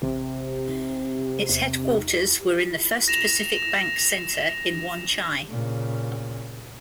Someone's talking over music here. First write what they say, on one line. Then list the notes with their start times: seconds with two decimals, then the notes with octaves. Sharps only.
Its headquarters were in the First Pacific Bank Centre in Wan Chai.
0.02 A1 C3
1.49 E2
3.08 A#6 E7 F7
5.50 A#2 C#3